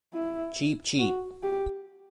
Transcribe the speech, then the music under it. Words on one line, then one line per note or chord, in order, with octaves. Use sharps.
Cheap, cheap.
E4
F#4
G4